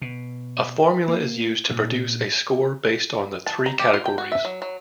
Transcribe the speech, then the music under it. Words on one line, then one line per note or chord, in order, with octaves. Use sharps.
A formula is used to produce a score based on the three categories.
B2
A#3
A#2
A5
A#5
G4
F4
G5
F#4
E5
F#3
F#3